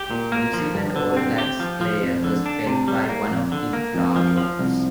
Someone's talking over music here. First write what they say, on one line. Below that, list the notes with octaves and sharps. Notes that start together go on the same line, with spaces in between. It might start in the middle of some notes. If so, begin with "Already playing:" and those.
A New Zealand All Blacks player was felled by one of the flour bombs.
Already playing: G4
A#2
A#3
F3
G2
D3
C4
G4
F3
F3
F2
D3
D4
C3
G3
A#3
F2
D3
A#3
F2
F3
F3
C2